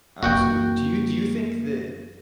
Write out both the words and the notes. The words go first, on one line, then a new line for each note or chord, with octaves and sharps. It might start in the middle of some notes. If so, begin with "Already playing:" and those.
Absolutely. Do you do you think that
F#2 E3 A#3 F#4 F#5 G5